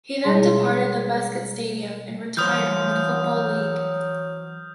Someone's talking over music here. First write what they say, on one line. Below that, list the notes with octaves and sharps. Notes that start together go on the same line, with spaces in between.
He then departed the Bescot Stadium and retired from the Football League.
B2 G3 G#3 G#4 C#5 C6
E3 F#3 C5 D#6 F6 G6